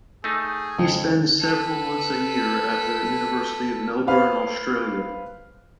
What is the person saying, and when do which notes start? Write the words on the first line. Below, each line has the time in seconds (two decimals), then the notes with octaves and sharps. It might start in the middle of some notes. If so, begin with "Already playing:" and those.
He spends several months a year at the University of Melbourne, Australia.
0.24 A3 D#4 G#4
0.79 F2 C#3 G#3
1.41 A4 B4
4.07 B4 C5 F5 B5